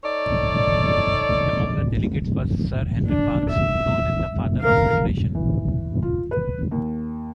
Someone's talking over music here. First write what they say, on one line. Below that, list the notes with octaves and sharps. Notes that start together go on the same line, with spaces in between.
Among the delegates was Sir Henry Parkes, known as the "Father of Federation".
D#4 A4 C#5 D5
D4
E5
A#4 F5
E3
F4
B4
D#2